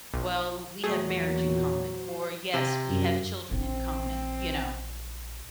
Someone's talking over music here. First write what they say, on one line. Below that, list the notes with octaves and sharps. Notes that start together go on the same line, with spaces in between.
"Well, we have marriage in common," or "Yes, we have children in common," you know,
B1
E2 A#2 F#3 A3 G#4
C5
C3
F#2
A#1 E3 C4